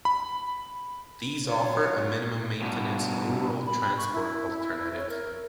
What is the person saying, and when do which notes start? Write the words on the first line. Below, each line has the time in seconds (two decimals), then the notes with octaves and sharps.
These offer a minimum-maintenance rural transport alternative.
0.05 B5
1.46 F#3 F4 C#5
2.62 G2 B2
3.66 B5
3.97 C#6
4.13 E4
4.96 C#5
5.09 A#4